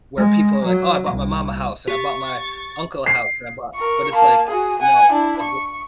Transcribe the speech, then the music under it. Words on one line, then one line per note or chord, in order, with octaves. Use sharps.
where people are like, "Oh, I bought my mom a house, and I bought my uncle a house and I bought" But it's like, you know, if you
G#3
F#3
C2
G4 C#6 A6
C7
A#4 C#6
A#3 A5
F#4 G#4
F#5 G#5
D4 E4
C#6